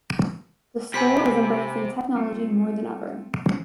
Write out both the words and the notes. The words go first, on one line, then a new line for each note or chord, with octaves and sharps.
The school is embracing technology more than ever.
C3 G#5 B5 B6
G3 A3 C4 F4 A4
E3 G#3 C4 C#4